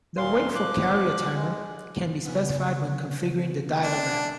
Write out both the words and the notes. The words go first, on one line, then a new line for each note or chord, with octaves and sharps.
The wait-for-carrier timer can be specified when configuring the dialer map.
D#2 A#2 F5 C6
F3 D6 F#6
G#3
C#3 B3
G#3 D4 E4